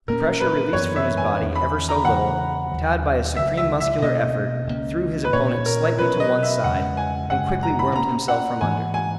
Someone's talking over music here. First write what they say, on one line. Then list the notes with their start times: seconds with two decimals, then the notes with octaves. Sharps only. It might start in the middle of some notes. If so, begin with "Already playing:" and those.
The pressure released from his body, ever so little, Tad by a supreme muscular effort, threw his opponent slightly to one side, and quickly wormed himself from under.
0.08 A#2 A#3 C#4 A#4
0.40 B4
0.73 F#2 E3 B3 C#5
0.96 E5
1.17 G#5
1.39 E2 D#3 A#3 C#4
1.56 B5
1.89 A#5
2.05 E2 C#3 E3 A#3 F#5
2.71 D#2 D#3 F#3
3.36 C#2 C#3 F#3 E5
3.57 E5
3.80 E5
4.02 B2 A#3 C#4 D#5
4.67 C#2 B2 A#3 C#4
5.25 B4
5.33 A#2 A#3 C#4 C#5
5.66 A#4
5.99 B2 F#3 C#4 B4
6.20 D#5
6.43 E5
6.64 E2 C#3 G#3 C#4 F#5
6.97 G#5
7.30 F#2 C#3 G#3 F#5
7.63 A#5
7.79 B5
7.96 B2 A#3 C#4 A#5
8.28 F#5
8.61 G#2 E3 A#3 G#5
8.94 G#5